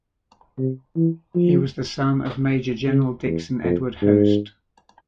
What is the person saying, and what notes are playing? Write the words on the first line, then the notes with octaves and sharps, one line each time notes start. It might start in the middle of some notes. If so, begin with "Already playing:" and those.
He was the son of Major General Dixon Edward Hoste.
C3
E3
F3
C#3
E2
F2
G#2